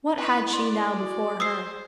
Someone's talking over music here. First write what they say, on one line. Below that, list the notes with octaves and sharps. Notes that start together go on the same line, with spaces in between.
What had she now before her?
E4 B4
D5 C6
F#4
G#4 C5 D#6 E6 C7